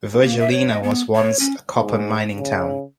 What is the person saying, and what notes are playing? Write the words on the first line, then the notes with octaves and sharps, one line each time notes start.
Virgilina was once a copper mining town.
A#3
E5
C#5
D#5
B3
C#5
C#4
G#2
C#3